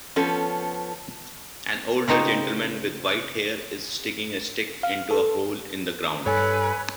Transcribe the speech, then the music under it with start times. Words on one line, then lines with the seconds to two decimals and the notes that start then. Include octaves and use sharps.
An older gentleman with white hair is sticking a stick into a hole in the ground.
0.16 F3 B3 C#4 A4
2.08 C#3 C4 D#4 C#5 A5
4.83 F5
5.11 A4
6.26 G2 A4 B4 C#5 G#5